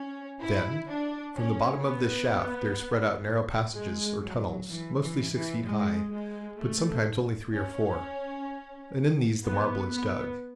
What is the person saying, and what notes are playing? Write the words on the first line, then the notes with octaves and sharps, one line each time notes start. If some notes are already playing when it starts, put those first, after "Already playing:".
Then from the bottom of this shaft there spread out narrow passages or tunnels, mostly six feet high, but sometimes only three or four, and in these the marble is dug.
Already playing: C#4
E4
D4
C#4
B3
G#3
F#3
E3
E3
E3
G#3
G#3
A3
C#4
B3
B3